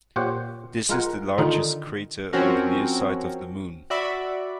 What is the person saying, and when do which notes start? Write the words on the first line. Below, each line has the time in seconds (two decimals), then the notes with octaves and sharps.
This is the largest crater on the near side of the Moon.
0.16 A#2 F4 G4 C5 C#5 F#5
0.89 G#3 F4 A#4 F#5
1.38 D3 D#3 A3 D#4 F4
2.33 F3 C4 C#4 F#4 A#4
3.90 F#4 D5 E5 B5